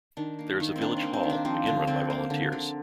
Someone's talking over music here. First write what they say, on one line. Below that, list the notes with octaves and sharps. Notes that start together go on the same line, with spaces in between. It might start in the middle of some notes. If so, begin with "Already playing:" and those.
There is a Village Hall, again run by volunteers.
D#3 D4
A#3
D#3
C4
A#3 D4
D4
A#3
C4
D#3
D4
F3 C4
D3 D4
D3 C4
A#3
D3
D3